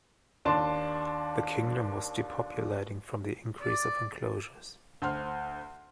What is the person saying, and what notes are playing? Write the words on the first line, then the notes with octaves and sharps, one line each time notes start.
The kingdom was depopulating from the increase of enclosures.
D#2 D4 A5 C6
D5
D2 C5 C6 F6